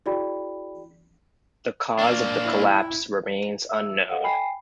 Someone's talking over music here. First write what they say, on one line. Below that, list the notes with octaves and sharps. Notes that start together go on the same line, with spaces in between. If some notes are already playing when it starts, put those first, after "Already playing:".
The cause of the collapse remains unknown.
E4 F#4 G#4 D5 G5 B5
A#3 D4
E4
E5 E6
A4 D#5 F5 F#5
G5 G#5 B5 C7